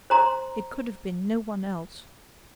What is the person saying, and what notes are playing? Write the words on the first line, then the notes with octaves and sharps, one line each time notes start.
"It could have been no one else."
C5 A#5 C6